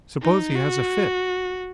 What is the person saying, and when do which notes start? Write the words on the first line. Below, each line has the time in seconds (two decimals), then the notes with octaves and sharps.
"Suppose he has a fit!"
0.22 D#4
0.55 F#4